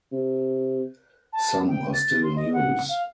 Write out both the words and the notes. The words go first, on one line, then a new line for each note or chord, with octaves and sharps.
Some are still in use.
C3
A5
G5
A6
C6
D#5
F#5
F5